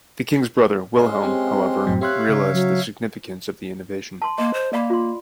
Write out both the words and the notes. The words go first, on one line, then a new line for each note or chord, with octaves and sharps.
The king's brother Wilhelm, however, realized the significance of the innovation.
G#3 C#4 C6
C4 G4
F#2 A2 F#3
G4 C#5 E5 F5 C6 F#6
C#3
F#3
A5 C6
A#3 D#5 C6
C5
A#3 D5 F5 B5
F4 C6